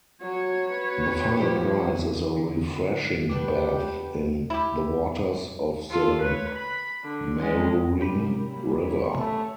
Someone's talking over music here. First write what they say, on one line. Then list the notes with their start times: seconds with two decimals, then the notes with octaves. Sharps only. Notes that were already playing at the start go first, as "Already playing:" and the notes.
The final prize is a refreshing bath in the waters of the Maruim River.
0.22 F#3 F#4 C#5
0.68 B4
1.37 F3 G4
2.36 D3
3.29 E2 B3 D4 G4 B4 G5 D6
4.50 E4 G4
5.90 F4 A4
6.21 B4 C#5
6.54 B5
7.03 D3 D4
7.39 G#3 C#4
8.00 C3 C#4 G4 A#4 B5
8.44 F#3 G3 A#3
8.79 C#5
9.18 A3